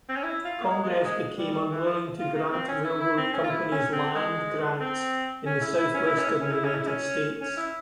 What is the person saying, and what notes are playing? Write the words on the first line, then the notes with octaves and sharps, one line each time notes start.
Congress became unwilling to grant railroad companies land grants in the Southwestern United States.
C4
C#4
E4
F4
A#3
G#3
G#3
A#3
A#3
G#3
G3
G3
E3
F3
F4
A#3
C4
C#4
E4
E4
C4
C#4
F4
E4
C#4
C4
G#3
C4
C#4
E4
E4
C#4
E4
C#4
E4
C#4
E4
C#4
E4
C#4
C#4
E4